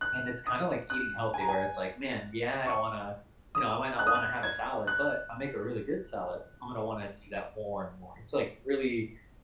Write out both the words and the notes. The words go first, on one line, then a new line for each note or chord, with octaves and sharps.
and it's kinda, like, eating healthy where it's, like, "Man, yeah, I don't wanna you know, I might not wanna have a salad, but if I make a really good salad, I'm gonna wanna do that more and more." It's, like, really
F#6
D#6
F#6
G#5
A#5
G#5
C#6
D#6
F#6
D#6
F#6
G#6
F#6